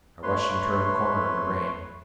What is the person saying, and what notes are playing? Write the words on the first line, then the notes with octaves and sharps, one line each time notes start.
I watched him turn the corner in the rain.
A3 B4 C#5 C6